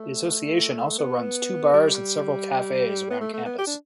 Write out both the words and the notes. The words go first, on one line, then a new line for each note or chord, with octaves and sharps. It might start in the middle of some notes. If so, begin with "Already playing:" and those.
The Association also runs two bars and several cafes around campus.
Already playing: A3
B3
G3
B3
A3
A3
B3
G4
D4